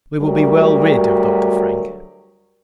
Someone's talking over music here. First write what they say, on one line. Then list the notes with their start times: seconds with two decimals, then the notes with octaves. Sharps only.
We will be well rid of Dr. Frank.
0.20 D2 F#3 G3 A#4